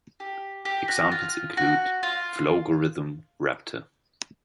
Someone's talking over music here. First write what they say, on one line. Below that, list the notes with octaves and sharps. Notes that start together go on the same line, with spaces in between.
Examples include Flowgorithm, Raptor.
G4
G4
F#4
F4
F#4
F4